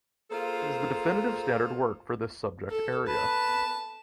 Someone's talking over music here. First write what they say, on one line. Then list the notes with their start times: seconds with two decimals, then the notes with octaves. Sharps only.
It is the definitive standard work for this subject area.
0.31 A#3 F4 G#4 A4 C5
2.70 A4
3.07 B4 A5